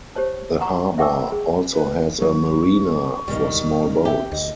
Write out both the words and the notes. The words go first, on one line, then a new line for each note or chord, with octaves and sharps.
The harbor also has a marina for small boats.
G4 C5 C#5 A5
F#5 A#5 C#6
E5 F#5 G5 C#6 D6 E6
G#4
B4
G1 F#3 A#3 C#6
E1 D2 B2 D#3 G3
G4 E5
D2 D#5